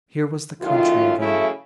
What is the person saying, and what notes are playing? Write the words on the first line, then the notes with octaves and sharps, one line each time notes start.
Here was the country again.
F#2 A2 D#3 F4
C#3 E3 F#3 A3 E4 C#5